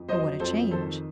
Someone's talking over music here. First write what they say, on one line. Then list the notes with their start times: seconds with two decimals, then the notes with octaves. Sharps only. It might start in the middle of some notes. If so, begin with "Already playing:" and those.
But what a change!
Already playing: F2
0.08 F#3 C5 D#5
0.40 F2 A4 C5
0.71 D#3 A4 C5